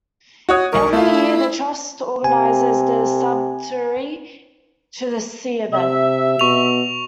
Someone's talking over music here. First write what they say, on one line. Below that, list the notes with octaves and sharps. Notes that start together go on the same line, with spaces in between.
Every year the Trust organises the Sudbury to the Sea event.
F#4 C#5 D#6
B1 A#4 C#6
A3 E4 F4
C3 G#5
C3 E5
B2 C#6 F7